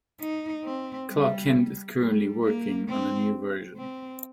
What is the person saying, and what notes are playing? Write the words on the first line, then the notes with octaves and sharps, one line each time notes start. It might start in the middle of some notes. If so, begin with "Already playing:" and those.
Klark Kent is currently working on a new version.
D#4
C4
G3
G3
A#3
C4
C4